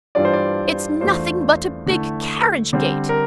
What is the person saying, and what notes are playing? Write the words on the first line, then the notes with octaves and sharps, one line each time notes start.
It's nothing but a big carriage gate!
G2 E3 G3 D4 F4 D5
C5
D5
E2 E3 A3 D4 F4 C5
D3 A3 E4
D3 G3 C4
A#4